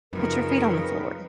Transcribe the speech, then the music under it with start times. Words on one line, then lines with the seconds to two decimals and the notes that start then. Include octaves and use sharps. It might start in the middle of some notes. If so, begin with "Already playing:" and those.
put your feet on the floor
0.13 F#2 C#3 F3 C4 D#4 A#4 B4